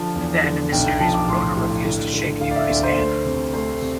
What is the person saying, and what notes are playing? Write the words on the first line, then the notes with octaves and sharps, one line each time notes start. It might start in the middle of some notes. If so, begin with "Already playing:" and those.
At the end of the series, Brodeur refused to shake Avery's hand.
Already playing: D3 F3 A5
E2
D3
B1 G5
G5
F3 A5
D6
A2 C6
A2
D3
D3
D2 F5
D5
E5
D2
C5
A3
C3
A3 C5
C3